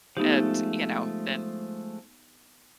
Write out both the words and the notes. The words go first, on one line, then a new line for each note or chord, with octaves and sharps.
and, you know, then
F3 G#3 A3 B3 D#4 G4